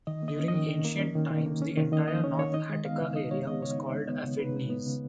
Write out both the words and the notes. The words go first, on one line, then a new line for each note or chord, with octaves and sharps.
During ancient times, the entire north Attica area was called "Afidnes".
D#3 D#5
A#3
D#5
C#4
D#5
D#3
D#3
A#3
C#4
D#3
D#3
A#3
C#4
D#3
D#3 D#5
A#3 D#5
C#4 C#5
D#3 C#5
D#4 D#5
G#3
B3 F5
C#3
D#4 D#5
G#3 C#5
B3 D#5
C#3 C#5
D#4
G#3
B3
C#3
D#4 B4
G#3
B3
C#3